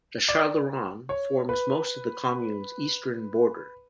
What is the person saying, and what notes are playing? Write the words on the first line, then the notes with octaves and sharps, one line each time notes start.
The Chalaronne forms most of the commune's eastern border.
D5
C#5
B4